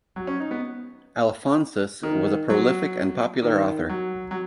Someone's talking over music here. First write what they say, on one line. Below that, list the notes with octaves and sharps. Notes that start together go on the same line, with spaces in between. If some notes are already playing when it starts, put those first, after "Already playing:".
Alphonsus was a prolific and popular author.
F#3
C#4
D#4
B3
D#3
F#3
D#3
F#3
F#3